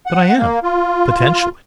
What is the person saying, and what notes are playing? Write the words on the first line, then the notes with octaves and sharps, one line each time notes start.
"But I am, potentially."
F#5
A#3
F4